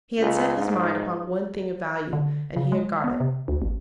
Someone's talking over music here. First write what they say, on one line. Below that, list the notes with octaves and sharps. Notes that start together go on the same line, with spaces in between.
He had set his mind upon one thing of value, and he had got it.
C#2
G#2
D3
C#3
G#3
B3
C3
D2
A1